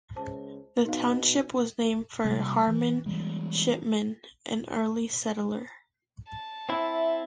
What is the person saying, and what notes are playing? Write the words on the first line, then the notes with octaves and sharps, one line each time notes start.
The township was named for Harmon Shipman, an early settler.
C#2 C5 A5
B2 D#4 F5
C3 G3 A#3
E3
E3 G3 G#3
A5
C4 E4 E5